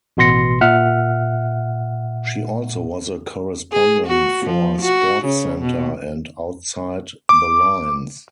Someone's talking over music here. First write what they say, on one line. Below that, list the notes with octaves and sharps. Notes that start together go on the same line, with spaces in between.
She also was a correspondent for "SportsCenter" and "Outside the Lines".
A1 B2 B3 C6 A#6 C#7
A#2 E5 F#5 F6
G#4
F#4
F3
F#4
C#3
B2
D6